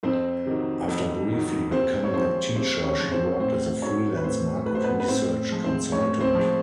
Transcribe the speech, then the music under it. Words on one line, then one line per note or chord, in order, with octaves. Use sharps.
After briefly becoming a teacher, she worked as a freelance market research consultant.
F2 C4 C5
C3 D#3 F#3
F2
C3 D#3 F#3
D#2 C4 C5
C#5
C#3 F3 G#3 C4 C5
D#2 C4 C5
C#4 C#5
C#3 F3 G#3
C4 C5
A2 C4 C5
F#3 A3 C#4 C#5
B4
A2 C4 C5
A3 B4
F#3 C5
B3 B4
B4
A2 C4 C5
F3 G#3
C4 C5
A2 C#4 C#5
C4 C5
F3 G#3